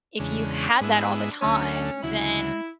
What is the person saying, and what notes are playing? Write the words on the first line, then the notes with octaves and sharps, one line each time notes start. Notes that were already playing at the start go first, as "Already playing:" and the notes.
if you had that all the time, then,
E2 C#3 G#3 D4
G#2 G#3 B3 E4
D2 D3 F#3 A3 C#4
D2 C#3 F#3 E4